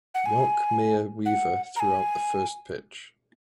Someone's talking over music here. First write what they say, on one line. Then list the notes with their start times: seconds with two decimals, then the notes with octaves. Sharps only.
York Mayor Weaver threw out the first pitch.
0.15 F#5
0.26 G#5
1.26 F#5
1.76 A#5
1.80 G#5